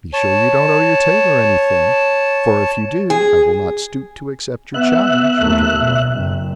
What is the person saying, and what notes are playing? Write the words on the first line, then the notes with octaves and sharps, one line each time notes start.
"Be sure you don't owe your tailor any thing, for if you do, I will not stoop to accept your challenge," returned Briarly.
C#5 A5
G#4
B3 E5 F#6
D#2 A3
B2
F#1